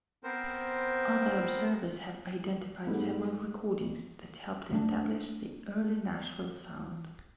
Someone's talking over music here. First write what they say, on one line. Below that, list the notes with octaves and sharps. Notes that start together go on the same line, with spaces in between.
Other observers have identified several recordings that helped establish the early Nashville sound.
B3 C4 A#4 C5
G#2 G3 A3 B3 E4
F#3 A3 C#4 D4